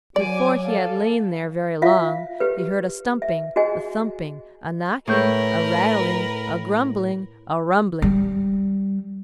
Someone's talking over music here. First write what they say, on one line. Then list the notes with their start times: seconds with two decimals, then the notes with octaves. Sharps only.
Before he had lain there very long he heard a stumping, a thumping, a knocking, a rattling, a grumbling, a rumbling.
0.16 F#3 D5 G#5 D6
0.63 A4 F5
1.82 F4 E5 F5
2.40 G4 B4
3.22 E5
3.56 F#4 G#4 D#5 G#5
5.07 A2 A#4 B4 C#6 G6
8.02 G3